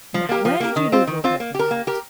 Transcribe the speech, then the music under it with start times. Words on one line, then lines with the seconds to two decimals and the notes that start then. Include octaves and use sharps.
Now where did you leave your coat and hat?
0.14 F3
0.29 A#3 G4 A#4
0.45 F3
0.60 A#3 G4 A#4
0.76 D#3
0.92 C4 F4 C5
1.07 D#3
1.24 C4 F4 C5
1.40 A#3
1.55 G4 A#4
1.71 A#3
1.87 G4 A#4